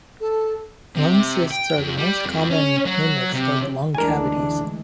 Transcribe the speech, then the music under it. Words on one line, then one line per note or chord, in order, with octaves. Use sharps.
Lung cysts are the most common mimics of lung cavities.
A4
C3
G5
F2
G3
F2
C#4
F#3
C3
D2 E3 G#3 D4 A#4 G#5